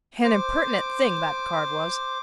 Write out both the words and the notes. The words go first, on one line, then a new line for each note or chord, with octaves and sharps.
An impertinent thing, that card was.
C5 D6